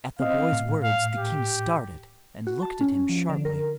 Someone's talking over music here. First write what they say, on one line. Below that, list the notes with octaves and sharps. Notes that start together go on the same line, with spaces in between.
At the boy's words the king started and looked at him sharply.
C4 D#5 F5
A2
F5
G4
F#4
A5
C#4
F3
D3
A#4